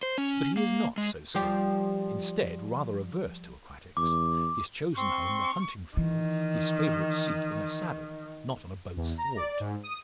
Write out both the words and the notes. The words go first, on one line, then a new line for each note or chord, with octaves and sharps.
But he is not so skilled--instead, rather averse to aquatics--his chosen home the hunting field, his favourite seat in a saddle, not on a boat's thwart.
C5
C#4
A#3
G#3
F3 G3 G4
E2 D6
C4 C6 C#6
D#3 E3
E2
A#5
D5
G#2
D#6